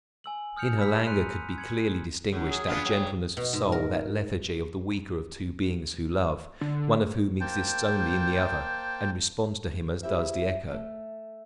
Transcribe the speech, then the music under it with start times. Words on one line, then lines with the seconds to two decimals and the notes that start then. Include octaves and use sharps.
In her languor could be clearly distinguished that gentleness of soul, that lethargy of the weaker of two beings who love, one of whom exists only in the other and responds to him as does the echo.
0.24 G#5 E6 F#7
0.57 D#6 F6 G6 C#7 F7
0.77 A#5 B5 E6 B6
1.07 A#5 C6 F#6 C#7 D#7 F7
1.58 G#6 C#7 F#7
2.32 F#2
2.51 G#4
2.67 B3 D4 F4
2.82 G2 F#3
3.37 B2
3.53 G#2
3.72 A#4
6.61 D3
7.40 A#3 C5 G5 A5
10.03 E4 G4 C5 E5
10.71 A3